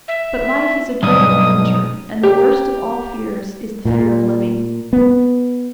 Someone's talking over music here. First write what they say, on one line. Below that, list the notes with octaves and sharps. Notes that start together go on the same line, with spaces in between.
But life is a great adventure, and the worst of all fears is the fear of living.
E5
B1 G2 D#6
G4
A#2
B3